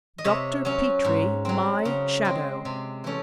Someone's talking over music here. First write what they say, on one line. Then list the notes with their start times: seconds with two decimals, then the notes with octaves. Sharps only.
Dr. Petrie--my shadow...
0.18 D#5
0.24 C3 C#5 E5
0.65 F#3 C#4
1.05 G#2
1.45 F#3 C4
1.85 C#3
2.25 G#3 C4
2.65 C3
3.04 E3 A3 C#4